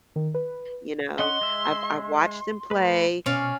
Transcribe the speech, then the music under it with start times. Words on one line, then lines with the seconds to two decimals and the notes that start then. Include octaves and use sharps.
you know? I've I've watched them play,
0.16 D#3
0.34 B4
1.19 C#4 D#5 F#5 C6
1.41 G#3 E5
2.71 A3 B4
3.26 B2 C#4 D5 F5 C#6